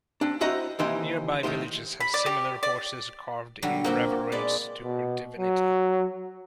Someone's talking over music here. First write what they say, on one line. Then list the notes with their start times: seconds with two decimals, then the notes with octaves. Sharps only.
Nearby villages have similar horses carved in reverence to her divinity.
0.21 C4 D4
0.41 C4 E4 F#4 C5 D#5 A#5
0.79 D#2 C3 E3 G4 C5 D#5
1.43 A2 D#3 F3 G4 C5
2.00 B5
2.14 D5
2.26 G4
2.63 D5
3.62 D3 F#3 G3
3.84 A#2 A#3 C4 F#4
4.32 G#3 B4 D5
4.83 B2
5.38 F#3